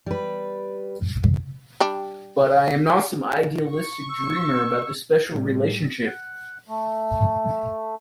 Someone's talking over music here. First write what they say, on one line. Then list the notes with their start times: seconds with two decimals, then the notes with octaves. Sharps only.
But I am not some idealistic dreamer about the special relationship.
0.06 G3 B4
1.80 G3 D4
3.70 C#6
4.09 E6
5.28 A2 G3
6.06 F#5
6.69 A3